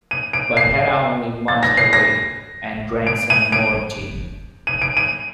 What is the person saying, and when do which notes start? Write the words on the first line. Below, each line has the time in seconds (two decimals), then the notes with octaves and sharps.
But Hatta only munched away, and drank some more tea.
0.11 D#7
0.33 D7
0.57 C7
1.48 A6
1.63 A#6
1.77 C7
1.93 A#6
3.07 D7
3.30 D#7
3.52 D7
4.67 D#7
4.82 D7
4.97 D#7